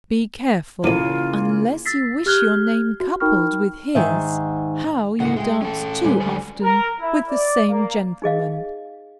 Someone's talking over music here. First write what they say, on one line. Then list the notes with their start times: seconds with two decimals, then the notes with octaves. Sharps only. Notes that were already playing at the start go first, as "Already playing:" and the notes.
Be careful, unless you wish your name coupled with his, how you dance too often with the same gentleman.
0.84 A1 F#2 C#3 A#3 E4 F4 D#7
1.86 E6 A6 B6 C7
2.26 G4 F6 F#6 G#6 G7
3.00 F#4
3.20 D#4 A#4 G5 B5 C#6 F6
3.95 G#2 D#3 E5
5.20 D2 G#2 C#3 E4 F#5
5.36 G#3 A3 G5
5.62 C#4 A4
6.04 D2 G3 G#5
6.21 D3 G#3 D5
6.61 A#4
6.99 E4
7.28 D5
7.68 A#3
8.22 D#4 G#4 D#5 F5